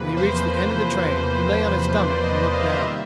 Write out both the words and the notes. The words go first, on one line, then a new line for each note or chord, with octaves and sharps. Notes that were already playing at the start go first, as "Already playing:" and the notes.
When he reached the end of the train he lay on his stomach and looked down.
Already playing: E2 C3 F3 A#3 B4
E2 C3 F3 A#3 C5
E2 C3 F3 A#3
E2 C3 F3 A#3 D5
D#5
F5
E5
D#5
E5
D#3 G3 A#3